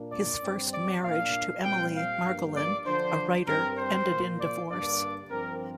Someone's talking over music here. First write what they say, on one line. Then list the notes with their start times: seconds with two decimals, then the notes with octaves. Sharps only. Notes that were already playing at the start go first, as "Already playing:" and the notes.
His first marriage to Emily Margolin, a writer, ended in divorce.
Already playing: A#2 A#3 D4
0.11 D5
0.42 G2 G3 C4
0.72 D5
1.02 A#2 A#3 D4 F5
1.63 A#2 G3 C4 G5
1.94 F5
2.24 G2 F3 A#3
2.55 D5
2.85 D3 F3 D4 C5
3.47 G2 G3 C4 A#4
3.78 C5
4.08 A#2 F3 A#3
4.39 D5
4.69 G2 D3 A#3 D4 D5
5.31 G2 F3 C4 A#4